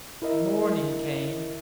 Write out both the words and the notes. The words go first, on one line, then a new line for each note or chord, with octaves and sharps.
Morning came!
E4 A#4 D#5 E5